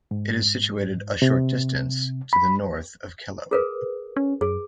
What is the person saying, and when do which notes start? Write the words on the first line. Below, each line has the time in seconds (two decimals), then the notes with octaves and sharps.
It is situated a short distance to the north of Kelloe.
0.11 G#2
1.22 C3
2.33 B5
3.51 G#4 A#4 B4
4.17 C#4
4.41 F#2 G#4